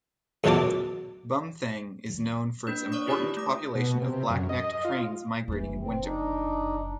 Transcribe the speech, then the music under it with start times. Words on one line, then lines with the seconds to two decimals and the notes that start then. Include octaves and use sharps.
Bumthang is known for its important population of black-necked cranes migrating in winter.
0.44 C#2 F#2 B2 D4 A5 D6
2.67 A#3 D4 B4
2.92 C#5 D5 C#6 D#6
3.06 E4 F4 G4 B4 D5 B5
3.37 A3 D#6
3.75 B2
4.02 C3
4.29 F#2
4.49 D#5
4.85 F4
5.48 F#1 F2 E3
5.78 C4
6.03 D4 D#4